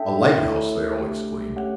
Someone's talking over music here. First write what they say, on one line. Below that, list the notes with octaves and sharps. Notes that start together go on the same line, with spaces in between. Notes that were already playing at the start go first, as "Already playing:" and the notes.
"A lighthouse!" they all exclaimed.
Already playing: D4 A4 E5 G5
A3 E4 A4 C#5 E5
A3 D4 G4
A3 C#4 G4 C#5 F#5